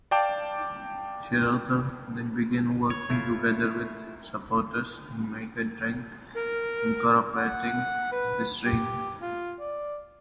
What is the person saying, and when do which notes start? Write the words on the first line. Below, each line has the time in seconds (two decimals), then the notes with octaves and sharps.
Shirota then began working together with supporters to make a drink incorporating the strain.
0.11 D5 F5 G5 A5 D6
2.90 C#5
3.10 A3 E4 F4
6.35 A#4
7.36 F#5
8.12 B4
8.66 G4
9.22 F4
9.59 D5